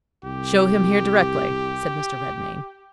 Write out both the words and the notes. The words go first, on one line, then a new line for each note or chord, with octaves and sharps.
"Show him here directly," said Mr. Redmain.
C2 G4